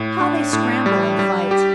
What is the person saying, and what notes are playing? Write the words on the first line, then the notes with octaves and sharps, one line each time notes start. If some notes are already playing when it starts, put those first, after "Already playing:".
How they scramble and fight!
Already playing: A2
D4
A2
G3
G3
G4